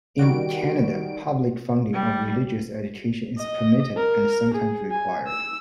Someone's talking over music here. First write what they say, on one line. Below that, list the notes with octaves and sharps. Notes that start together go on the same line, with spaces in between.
In Canada public funding of religious education is permitted, and sometimes required.
D#3 G3 F#4 D7
G3
D#5
A#4
G#4
G#5
E6